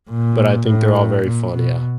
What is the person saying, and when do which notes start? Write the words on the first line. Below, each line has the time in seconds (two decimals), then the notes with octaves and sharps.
but I think they're all very fun, yeah.
0.10 A#2
0.67 A2
1.25 A#2
1.53 B2